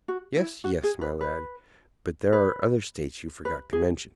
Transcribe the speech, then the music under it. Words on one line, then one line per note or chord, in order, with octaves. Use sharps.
"Yes, yes, my lad; but there are other states you forgot to mention."
F#4
E4
F#4
G#4
B4
B4
B4
B4
G#4